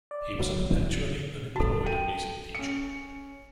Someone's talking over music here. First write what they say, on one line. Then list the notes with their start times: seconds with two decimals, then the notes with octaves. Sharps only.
He was a perpetually unemployed music teacher.
0.11 D5
0.39 F#3
0.69 E3
1.56 F#4 A4 A5
1.86 G5 D#7
2.55 C#4 C#7